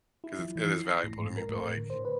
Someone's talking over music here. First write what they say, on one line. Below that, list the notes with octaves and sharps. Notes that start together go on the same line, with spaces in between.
'cause it's it is valuable to me, but, like,
E4
F3
E3
C7
A#6
A2
G#2
A#4
A2
D3
C5
B4